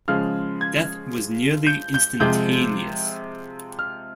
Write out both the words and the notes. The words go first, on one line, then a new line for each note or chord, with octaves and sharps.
Death was nearly instantaneous.
C#3 F3 G#3 F6
G#6
G6
G6
C3 F3 G#3 G6
F6